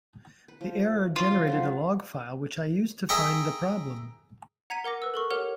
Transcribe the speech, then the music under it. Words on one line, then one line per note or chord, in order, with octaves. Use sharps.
The error generated a log file which I used to find the problem.
B4
F3
F4
C#3 F3 F#3
F3 F#3 G#3
G#4 E5 G5 A#5 C#6
F#5 A#5 G#6 B6 C#7 D#7
A#4 F#5 D6 A#6
B4 E6
A4 A#4 C#6
G4 A#4 C#5 F#5 F6 F7